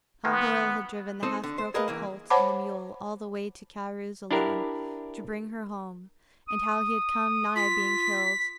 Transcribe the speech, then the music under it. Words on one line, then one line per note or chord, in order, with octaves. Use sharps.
How Hoyle had driven the half-broken colt and the mule all the way to Carew's alone, to bring her home, and how he had come nigh being killed.
D#3 G#3 A#3 B3
C4 D#4 A4 C5
D3
C5
G#4 A#4 B4 D#5 F5
C#2 E3 A#3
C5 C#5 F#5 A5 B5 D6
D4 E4 G4 A#4
D#6
F4 B6